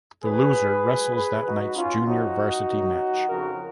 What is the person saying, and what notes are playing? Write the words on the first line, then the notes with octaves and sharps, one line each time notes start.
The loser wrestles that night's junior varsity match.
F2 D#3 F#3 G#4 B4
G#2 F#3
G#4 B4
G#2 F#3 D#4 F#4
C#4 F4
F2 F3 D#4 F#4
F#2 D#3 F#3
F2 C#3 F3 F#4 A#4